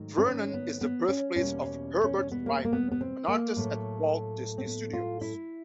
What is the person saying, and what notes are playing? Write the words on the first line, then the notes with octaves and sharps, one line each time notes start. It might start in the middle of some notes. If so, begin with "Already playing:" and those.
Vernon is the birthplace of Herbert Ryman, an artist at Walt Disney Studios.
Already playing: G#2 D#3 F#3 A3
C4
C#4
B3
B3
C#4
E2 B2 G3 A#3 C#4
C#4
C#4
C#4
B3
A#3
A#3
B3
B3
C4
A#3
A2 F#3 A3
C4
B3
F4
E4